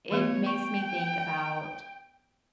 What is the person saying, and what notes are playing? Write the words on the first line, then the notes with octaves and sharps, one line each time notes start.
it makes me think about
E3 A3 B3 C#5
G5 C#6